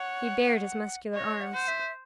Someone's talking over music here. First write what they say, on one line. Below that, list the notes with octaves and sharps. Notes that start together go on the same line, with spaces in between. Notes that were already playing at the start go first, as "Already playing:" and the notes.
He bared his muscular arms.
Already playing: C#5 F#5
C#5 D#5
F#5
C5
E5